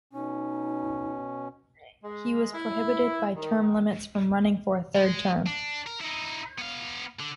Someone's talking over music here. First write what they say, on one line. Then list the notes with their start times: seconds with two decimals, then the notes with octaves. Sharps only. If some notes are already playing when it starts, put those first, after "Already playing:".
He was prohibited by term limits from running for a third term.
0.13 B2 C#4 D#4
2.03 G#3
2.54 E4
3.36 D#3
4.96 G#3
5.46 D4
5.87 A#4
6.01 D#4 E4
6.58 B3 F5
7.19 D3